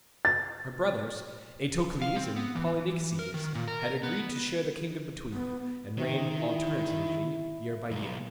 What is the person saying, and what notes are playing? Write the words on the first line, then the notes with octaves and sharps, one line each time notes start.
Her brothers, Eteocles and Polynices, had agreed to share the kingdom between them, and reign alternately year by year.
A6
F5
C4
B3
E3
A#4
D#3
A#2
A#4
B3
B3
C3 D#3
E4
B1 F2